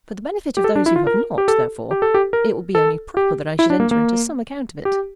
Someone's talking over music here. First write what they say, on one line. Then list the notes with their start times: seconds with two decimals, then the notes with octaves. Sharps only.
For the benefit of those who have not, therefore, it will be only proper that I should enter into some account of it.
0.57 G4
0.64 A4
0.76 D4
0.86 E4
0.96 F4
1.07 A#4
1.38 G4
1.48 A4
1.91 G4
2.02 A4
2.14 G4
2.33 A#4
2.75 A4
3.17 G4
3.59 E4
3.70 D4
3.80 A#3
3.91 A#3
4.85 G4